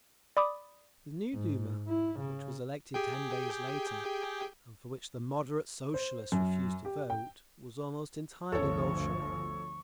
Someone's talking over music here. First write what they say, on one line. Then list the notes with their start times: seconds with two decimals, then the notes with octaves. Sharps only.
The new Duma, which was elected ten days later, and for which the "Moderate" Socialists refused to vote, was almost entirely Bolshevik....
0.37 D5 B5 D6 D#6
1.34 G#2
1.88 E4
2.20 C#3
2.94 G4 G#4 G5
5.94 C5
6.32 F#2
6.85 G4
7.10 G5
8.52 G1 D2 F3 A4 C#5 C#6